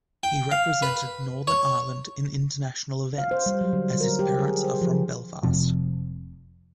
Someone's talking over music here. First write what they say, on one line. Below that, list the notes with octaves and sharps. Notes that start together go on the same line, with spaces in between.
He represented Northern Ireland in international events, as his parents are from Belfast.
G5
F5
B4
C#5
F5
C5
G3
F#3
D3
A#4
G4
G#4
C5
F3
F1 F2 C3 F3